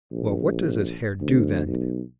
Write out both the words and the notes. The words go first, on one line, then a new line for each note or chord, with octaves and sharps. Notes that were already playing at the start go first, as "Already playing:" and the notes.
"Well, what does his hare do, then?"
A#1
D2
B1